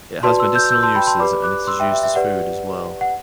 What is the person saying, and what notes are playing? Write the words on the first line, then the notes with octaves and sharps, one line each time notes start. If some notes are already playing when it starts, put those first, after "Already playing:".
It has medicinal uses and it is used as food, as well.
F#4 B4 D5 A5 C6
C6 E6
E6 G6
E6 G6
A5 C6
G5 B5
A5 C6
G4 B4 D5 B5 D6
D6 F#6
C6 E6
E5 G5
E5
E5
G4 B4 D5 F#5
F#5